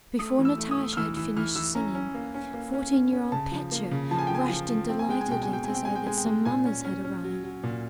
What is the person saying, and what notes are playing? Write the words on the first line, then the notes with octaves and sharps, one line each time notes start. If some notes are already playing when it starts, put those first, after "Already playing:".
Before Natasha had finished singing, fourteen-year-old Petya rushed in delightedly, to say that some mummers had arrived.
A3 D#6
E3
E6
A3
D#6
A3
F6
E3 E6
E3 E6
E3 F6
E3 E6
C#4 A#5
C#4
A#3
C#4
A#3
C#4
C#4
C#4
C#3 A5
F3
A#3
C#3
F3 A5
G#5
G5
F3 G#5
F3
F3
C4 G5
G#5
G#3 G5
G#5
B2 G5
G#5
B2
G5
C4 G#5
G5
G#3 G#5
G5
G#3 G#5
G5
G#3
A#2 G#5
C#4
C#4
C#4
F#3
F#3
A#2